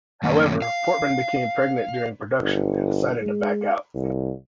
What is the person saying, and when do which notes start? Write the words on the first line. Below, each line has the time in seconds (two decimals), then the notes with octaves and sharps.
However, Portman became pregnant during production, and decided to back out.
0.23 F#2 D#3 A3 A#3 C#4
0.62 F5
2.40 G1
3.22 G#3
3.95 C2